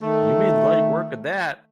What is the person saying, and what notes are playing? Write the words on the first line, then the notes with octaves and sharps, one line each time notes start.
You made light work of that!
D#3 A3